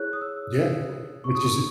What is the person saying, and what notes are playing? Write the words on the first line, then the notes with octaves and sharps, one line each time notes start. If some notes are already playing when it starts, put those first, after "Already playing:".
Yeah. W which is it
Already playing: E4 G#4 C#5 F#6
D#6
E6
C#6
D#6